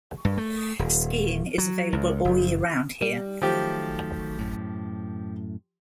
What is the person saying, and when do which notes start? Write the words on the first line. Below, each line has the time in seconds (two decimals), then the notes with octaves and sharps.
Skiing is available all year round here.
0.25 G2
0.38 A3
0.79 D#1
1.58 F#3
1.93 C#2
2.25 F#1
3.02 G3
3.42 D#3 F3 F#3 A3 G4
4.39 F#2 A2